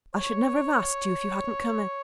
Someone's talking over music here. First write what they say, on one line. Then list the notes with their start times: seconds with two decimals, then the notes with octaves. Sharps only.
'I should never have asked you, if you hadn't come in.
0.15 C#5